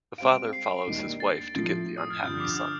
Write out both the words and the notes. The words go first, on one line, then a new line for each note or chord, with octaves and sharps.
The father follows his wife to get the unhappy son.
G3 C4 G4 C5 F5 D7
C7
D#2 D#3 G3 A#3 D4
A6
A2 F3 A3
D#6
F6
G2 D3 F3 G6
D6
D#6
F6